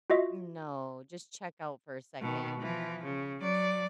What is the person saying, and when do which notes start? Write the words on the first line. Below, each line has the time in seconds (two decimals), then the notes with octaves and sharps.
Mm, no just check out for a second.
0.10 F4 F#4 D#5 E5
2.21 B2 D#3
2.59 E3 F3
3.04 C#3
3.40 F#3 D5